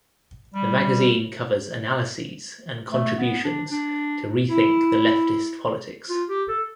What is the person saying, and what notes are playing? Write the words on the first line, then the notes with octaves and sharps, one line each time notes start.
The magazine covers analyses and contributions to rethink the leftist politics.
G3
A3
B3
D4
D4
E4
F4
G4
A4